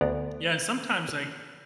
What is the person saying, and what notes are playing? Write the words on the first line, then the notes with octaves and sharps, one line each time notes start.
Yeah, and sometimes, like,
D2 B3 D5 A#5